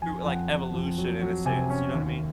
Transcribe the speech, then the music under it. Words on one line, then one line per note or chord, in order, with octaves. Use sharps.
through, uh, like, evolution in a sense, you know what I mean?
F2 G#5
F2 F#5
F2
F2
F#3
F#3
C3 G#5
C#4
D#2